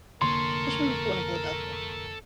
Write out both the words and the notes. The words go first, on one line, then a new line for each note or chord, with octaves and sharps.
Fishman was born in Philadelphia.
F1 D3 A#3 A4 A#4 C#5 C6